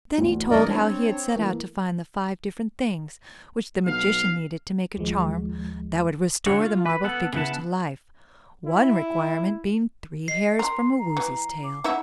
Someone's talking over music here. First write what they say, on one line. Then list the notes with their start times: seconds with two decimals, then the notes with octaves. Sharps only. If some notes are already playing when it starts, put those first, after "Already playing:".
Then he told how he had set out to find the five different things which the Magician needed to make a charm that would restore the marble figures to life, one requirement being three hairs from a Woozy's tail.
0.18 D2 E3
0.50 C2 E3 D4 A#4 D5 D#5
0.69 C4 D4 C#5 A5 B5
1.36 E3 A3 A#3
3.86 B1 F5
4.97 D#2 F3 G#3
6.46 D3 D4 F#4 C#5
6.61 F4
6.86 B4
7.04 B3 A4 F#5
7.33 C#3 B3 E4 F#5 A5
8.66 E4
10.28 D#5 C7
10.59 A#4 C6
10.99 A#5
11.17 E3
11.64 D6
11.84 D#4 E4 E5 F#5